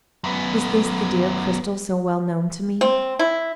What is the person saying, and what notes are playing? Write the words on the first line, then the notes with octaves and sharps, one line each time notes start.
Was this the dear Cristel so well known to me?
F#2 B3
C4
E4